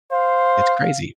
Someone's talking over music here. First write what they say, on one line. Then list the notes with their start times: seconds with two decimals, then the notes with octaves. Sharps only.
it's crazy.
0.11 C5 F5